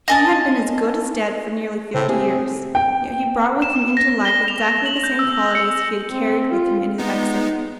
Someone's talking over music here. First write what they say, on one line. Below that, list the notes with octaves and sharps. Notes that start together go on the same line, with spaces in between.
He had been as good as dead for nearly fifty years, yet he brought with him into life exactly the same qualities he had carried with him in his exit.
D#5 G#5 A5
A2 C#3 C4
C3 C4 G#4
G5
E7
A#6
G7
F7
F#7
G6
E6
C#7
C4
F4
G#3 B3 D#4